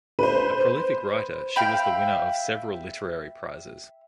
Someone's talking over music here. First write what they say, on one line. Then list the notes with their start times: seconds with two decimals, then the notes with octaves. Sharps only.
A prolific writer, she was the winner of several literary prizes.
0.19 B4 C5
1.56 E5 F5 G5 B5